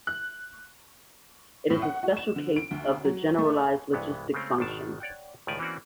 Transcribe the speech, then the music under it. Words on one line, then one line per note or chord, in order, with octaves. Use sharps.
It is a special case of the generalised logistic function.
F#6
A2
F#5
F#4
E7
D3
D7
D2
F#3
A3
C2 G2 E3 G#3 B3
C#3 G#3 A3 C4 C#4
G#1 B2 D#3 D4 A5
C#5 D5 F#5 G5
C#2 A2 D#3 G4 D5 G#5
E3 A#3 C4 C#4 F#4 D5